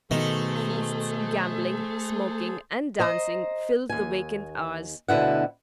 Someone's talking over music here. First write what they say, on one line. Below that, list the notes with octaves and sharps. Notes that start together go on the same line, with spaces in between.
Feasts, gambling, smoking, and dancing filled the vacant hours.
B2 D#3 A3 G#4 A4 C5
C5 D#5 A#5
D#2 G#5
D2 B2 D3 E4 F#5